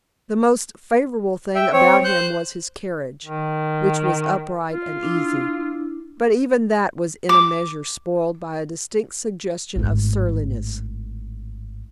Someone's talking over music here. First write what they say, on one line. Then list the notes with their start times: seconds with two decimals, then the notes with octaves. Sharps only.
The most favorable thing about him was his carriage, which was upright and easy, but even that was in a measure spoiled by a distinct suggestion of surliness.
1.55 E5 G5
1.72 C4 C#5
2.04 C5 F#6 G6
3.25 D#3
4.70 F4
5.03 D4 E4
7.29 D6
9.76 G#1 A2